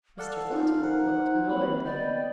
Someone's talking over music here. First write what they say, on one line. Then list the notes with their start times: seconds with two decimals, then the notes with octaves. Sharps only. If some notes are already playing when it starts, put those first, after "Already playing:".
Mr. Thornton looked annoyed.
0.18 A4 D5 F5 F#5 A5
0.51 D#4 F4 G#4
0.83 A#4 C5 F#5
1.49 A#3 C4 B5
1.85 D3 B3 D5 D#5 G5